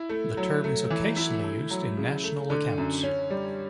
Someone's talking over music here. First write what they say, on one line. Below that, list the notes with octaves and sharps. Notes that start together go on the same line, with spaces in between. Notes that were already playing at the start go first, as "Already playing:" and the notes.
The term is occasionally used in national accounts.
Already playing: E4
A3
F#3
A3
E3
E4
A3
F#3
C#3
A3
D3
F#2
C#4
G3